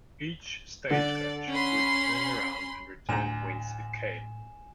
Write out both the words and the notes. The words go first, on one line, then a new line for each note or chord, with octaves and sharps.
Each stagecoach would turn around and return whence it came.
D3 A4 D5
C#4 B5 C6
D2 A2 G#5 A#5 E7